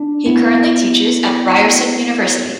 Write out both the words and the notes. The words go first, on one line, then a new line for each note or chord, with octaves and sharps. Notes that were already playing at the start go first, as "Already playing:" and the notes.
He currently teaches at Ryerson University.
Already playing: D4
B3 E4